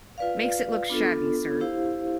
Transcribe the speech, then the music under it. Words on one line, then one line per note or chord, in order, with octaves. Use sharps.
Makes it look shabby, sir.
F4 B4 D5 F5
B3 D4 F4 A4
E4 G4 C5 F5